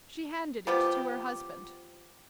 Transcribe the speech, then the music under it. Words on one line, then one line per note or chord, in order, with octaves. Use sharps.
She handed it to her husband.
F3 B3 G4